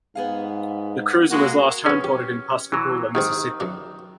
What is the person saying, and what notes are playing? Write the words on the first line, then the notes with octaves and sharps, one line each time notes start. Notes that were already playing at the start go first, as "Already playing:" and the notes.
The cruiser was last homeported in Pascagoula, Mississippi.
G#2 B3 G#4 F5
G#3 A#3 F#4
B3 C#4 G#4
G4
E3 F#3
D#2 G#2 D#3 C4
F#2 D4